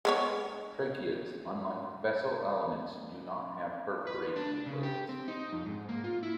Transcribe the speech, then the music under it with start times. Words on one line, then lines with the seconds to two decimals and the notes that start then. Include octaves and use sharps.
Tracheids, unlike vessel elements, do not have perforation plates.
0.05 G#3 B3 C#5
4.07 B4
4.36 D4
4.66 C#3
4.83 G4
5.09 C4
5.28 D#4
5.52 F2
5.66 G#2
5.89 A#3
6.04 F4
6.23 E4